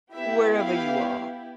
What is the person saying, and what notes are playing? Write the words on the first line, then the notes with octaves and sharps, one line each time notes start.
Wherever you are!
B3 E4 G4 E5
F5